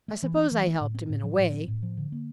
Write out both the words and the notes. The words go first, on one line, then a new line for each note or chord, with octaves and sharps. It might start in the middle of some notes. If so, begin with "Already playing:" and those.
I suppose I helped him in a way.
A3
E3
C4
E3
A3
A2
C4
A2
F3
A2
C4
A2
F3
D3
A#3